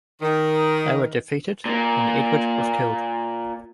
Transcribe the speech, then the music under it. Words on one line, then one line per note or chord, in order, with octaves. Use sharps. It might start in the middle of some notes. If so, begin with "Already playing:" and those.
They were defeated and Edward was killed.
D#3
A#2 A#3